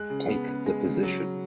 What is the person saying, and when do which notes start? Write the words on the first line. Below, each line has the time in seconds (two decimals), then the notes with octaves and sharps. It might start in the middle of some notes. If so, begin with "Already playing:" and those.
Take the position'.
Already playing: G#3 F#6
0.10 C#3
0.29 B3
0.47 C#3
0.66 G#3
0.84 C#3
1.03 F#3